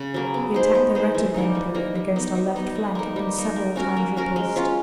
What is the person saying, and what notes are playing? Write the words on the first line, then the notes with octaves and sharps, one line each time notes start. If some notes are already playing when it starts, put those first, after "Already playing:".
The attack directed by Napoleon against our left flank had been several times repulsed.
Already playing: C#3
F#3 A#3
B3
D#4 G#4 C5
B3
D#4 G#4 C5
E3
G3 A#3 D#4
E3
G3 A#3 D#4
G3
B3 D#4
G3
B3 D#4
G3
A#3 D#4
G3
A#3 D#4
A#3
C#4 F#4 A#4
A#3
C#4 F#4 A#4
G#3
C#4 F4